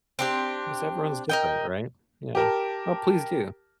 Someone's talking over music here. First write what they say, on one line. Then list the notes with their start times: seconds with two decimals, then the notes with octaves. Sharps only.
'Cause everyone's different, right? Yeah. Well, please do.
0.19 C4 D4 G4
1.29 A#4 D#5 G5
2.35 G4 A#4 A5